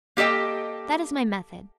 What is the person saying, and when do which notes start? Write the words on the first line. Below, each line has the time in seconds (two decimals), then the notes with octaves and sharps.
That is my method.
0.17 A#3 G4 A4 D#5 G5